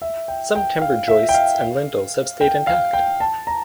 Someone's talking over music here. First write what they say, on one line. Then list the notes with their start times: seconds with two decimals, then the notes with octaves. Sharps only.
Some timber joists and lintels have stayed intact.
0.02 E5
0.28 G5
0.55 G5
0.82 F5
1.08 E5
1.29 G5
1.34 F5
2.41 G5
2.67 F5
2.93 G5
3.20 A5
3.47 A#5